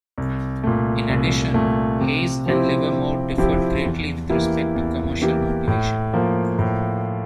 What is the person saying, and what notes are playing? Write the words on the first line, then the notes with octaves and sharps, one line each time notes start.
In addition, Hayes and Livermore differed greatly with respect to commercial motivation.
C2
A#2 A3
C2
A#2 A3
C3
F3 C4 E4 G4
C3
F3 C4 E4 G4
E2
E3 A#3 E4 G4
E2
E3 A#3 E4 G4
A2
F3 A#3
A2